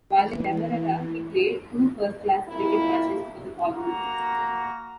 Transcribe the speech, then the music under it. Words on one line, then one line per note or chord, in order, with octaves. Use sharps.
While in Demerara he played two first-class cricket matches for the colony.
E3
F2 A#3 E4
A#3 F#4 A#5